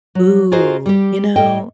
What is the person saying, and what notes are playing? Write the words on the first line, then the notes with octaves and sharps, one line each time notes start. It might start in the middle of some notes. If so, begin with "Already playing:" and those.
Ooh, you know,
F#3
F4 F#4 G#4 A#4 C5 D#5
G3 G4
A2 A4 D#5 G5